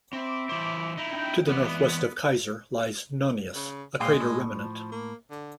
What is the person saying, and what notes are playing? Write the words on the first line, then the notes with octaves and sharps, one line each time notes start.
To the northwest of Kaiser lies Nonius, a crater remnant.
C4 E5 B5 D6
E3 C5
D#4 E4
C4 D4 G5
E3 G#3 B3 D5
C#3
A#2 G#3 F5 G5
A2
F3
A#3
D3